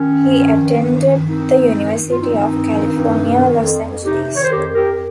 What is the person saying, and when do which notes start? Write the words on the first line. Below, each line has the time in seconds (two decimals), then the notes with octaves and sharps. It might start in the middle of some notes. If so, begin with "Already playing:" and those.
He attended the University of California Los Angeles.
Already playing: D#3 C#4
0.14 G2
0.36 D#3
0.60 G2
0.82 D#3
1.06 G2
1.29 D#3 C4 D#4
1.52 G2
1.75 D#3
1.97 G2
2.10 F4
2.21 D#3 C4 D#4
2.44 G2
2.67 D#3
2.90 G2
3.13 C3
3.36 D#3
3.59 F2
3.82 F2
4.05 C3 D#4 G4
4.29 D#3
4.35 C#5
4.43 C5
4.51 F2 G4 A#4
4.74 F2 G4 A#4